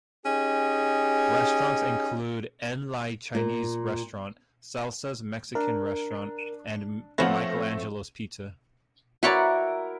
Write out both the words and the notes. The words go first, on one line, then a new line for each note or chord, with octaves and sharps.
Restaurants include En Lai Chinese restaurant, Salsa's Mexican restaurant, and Michael Angelo's Pizza.
C#4 D#4 G4 G#4
A#2
D4 A#4
F3 A3 B3 C4 C#5 F5 F#5 A#6
E4 F#4 A#4 B4 C#5 D5 F#5